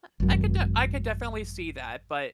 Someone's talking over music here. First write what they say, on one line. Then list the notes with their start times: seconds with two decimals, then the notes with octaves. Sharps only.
I I could de I could definitely see that, but,
0.20 G#1 F#2